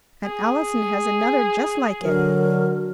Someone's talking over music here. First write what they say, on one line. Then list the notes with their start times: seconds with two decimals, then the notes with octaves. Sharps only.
And Allison has another just like it.
0.24 G#4
2.03 D3 F#3 A#4